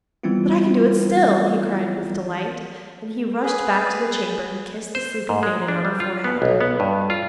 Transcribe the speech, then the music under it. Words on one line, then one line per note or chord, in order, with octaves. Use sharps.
'But I can do it still!' he cried with delight, and he rushed back to the chamber and kissed the sleeping maiden on the forehead.
E3 G3 B3 C4 E4 F4
G#4 B4
C5
G#2
G#3
D4
G3
F4
B3
B1
B3
G2
F4